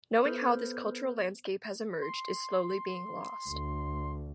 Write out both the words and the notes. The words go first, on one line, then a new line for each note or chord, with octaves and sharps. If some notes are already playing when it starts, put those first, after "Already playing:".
Knowing how this cultural landscape has emerged is slowly being lost.
B3 A4 B4 C5 F6 G6
C6
D2